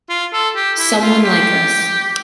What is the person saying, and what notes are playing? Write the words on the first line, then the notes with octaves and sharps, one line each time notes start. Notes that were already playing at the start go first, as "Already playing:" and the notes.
Someone like us.
F4
A4
G4
E4
F4
G4